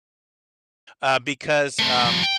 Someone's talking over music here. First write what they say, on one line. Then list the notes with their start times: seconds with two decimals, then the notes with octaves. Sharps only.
uh, because, um
1.79 A3 C4
2.05 F3 G3
2.23 G5